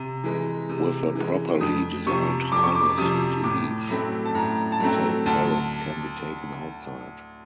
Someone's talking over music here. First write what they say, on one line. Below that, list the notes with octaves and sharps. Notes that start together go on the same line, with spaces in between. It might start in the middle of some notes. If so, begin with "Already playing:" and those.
With a properly designed harness and leash, a tame parrot can be taken outside.
Already playing: C3
E3 G#3
C3
E3 G#3
F2 D#6
C3 F3 C#6
F2 D6
C#6
D6
C3 F3 D#6
A2 D6
F#3 A3 C4 B5
A5
A2 A#5
A5
F#3 A3 C4 A#5
D2 A5